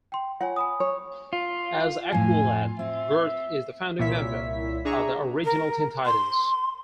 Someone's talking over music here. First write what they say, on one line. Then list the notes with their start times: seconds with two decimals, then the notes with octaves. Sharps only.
As Aqualad, Garth is a founding member of the original Teen Titans.
0.12 G5 C6
0.41 F4 C#5 F#5 G#5
0.56 G#5 B5 D#6
0.80 C#5
1.33 F4
2.12 F2 A2 G#5
2.79 C4 E5
3.99 C2 A#2 E4 C#5 E5 B6
4.85 D4 G#4 E5 A#5 C#6
5.45 A#4
6.06 C6